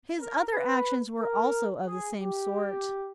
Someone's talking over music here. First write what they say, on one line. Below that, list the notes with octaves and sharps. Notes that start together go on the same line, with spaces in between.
His other actions were also of the same sort.
A#4
B4
A#4
G#4
G4